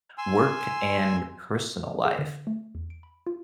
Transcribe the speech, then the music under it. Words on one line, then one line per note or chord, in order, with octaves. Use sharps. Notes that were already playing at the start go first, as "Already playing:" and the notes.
work and personal life.
G#5 C6 E6
G#4
D3
A3
E2
D7
B5
F4